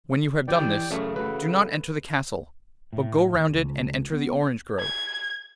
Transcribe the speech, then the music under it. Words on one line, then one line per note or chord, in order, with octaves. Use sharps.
When you have done this, do not enter the castle, but go round it and enter the orange grove.
E3 G4 D5 G5
F#2 C#3 A3 C#5
A3 F#4 B4
A2
D#2
C#2
B3
G#6